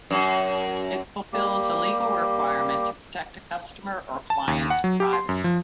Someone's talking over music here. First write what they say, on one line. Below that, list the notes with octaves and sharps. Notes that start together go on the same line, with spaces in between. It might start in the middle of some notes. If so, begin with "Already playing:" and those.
It fulfills a legal requirement to protect a customer or client's privacy.
F#2
G3 A#3 G4
A5
D#2
F#5
F#3
G4
C6
F#2
F3